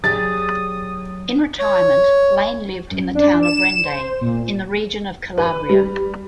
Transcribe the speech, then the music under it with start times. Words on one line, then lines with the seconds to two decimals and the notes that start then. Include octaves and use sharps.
In retirement Lane lived in the town of Rende in the region of Calabria.
0.04 F#3 G4 G#4 D5 D#6 A6
1.59 C#5
2.91 F#2
3.15 D4
3.43 E7
3.85 C5
4.21 A#2
5.38 B4
5.69 G3